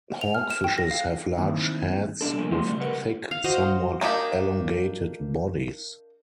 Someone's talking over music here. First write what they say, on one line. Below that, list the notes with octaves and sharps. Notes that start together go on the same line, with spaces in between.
Hawkfishes have large heads with thick, somewhat elongated bodies.
F7
F6
E7
G5
A#6
F5
D#3 A#3 C4 D#4 E4
B2 G3 D4 A4
C2 C3 F3 A#3 G#5
F3 G#3 A3 C4 G5 C6
A#2 C#3 F#3 G3 A3
C2 D3 G4 A#4 B4 F#5
F5
F#4 C5 D#5 F5
A#3 D4 D#4 G4